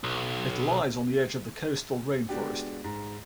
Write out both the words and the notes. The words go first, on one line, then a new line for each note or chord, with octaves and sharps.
It lies on the edge of the coastal rainforest.
B1
G#3 B3 D4 F#4 G4
G#2